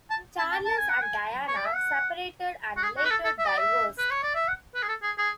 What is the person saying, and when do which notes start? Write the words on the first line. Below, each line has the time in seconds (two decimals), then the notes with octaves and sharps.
Charles and Diana separated and later divorced.
0.10 A5
0.38 A5
0.51 A5
0.65 A5
0.77 G#5
0.89 F#5
1.02 G#5
1.47 C#5
1.56 D5
1.65 E5
1.74 F#5
2.77 F#4
2.83 G#4
2.97 F#4
3.05 B4
3.11 A4
3.24 A4
3.38 E5
3.47 D5
3.57 E5
3.98 B4
4.10 C#5
4.22 D5
4.35 E5
4.47 F#5
4.75 B4
4.82 G#4
4.88 A4
5.02 G#4
5.18 G#4